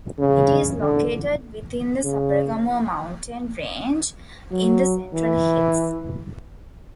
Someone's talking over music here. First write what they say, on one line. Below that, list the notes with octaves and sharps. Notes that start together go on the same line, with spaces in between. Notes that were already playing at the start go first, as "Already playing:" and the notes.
It is located within the Sabaragamuwa mountain range in the central hills.
C#3
D3
C#3
F#3
E3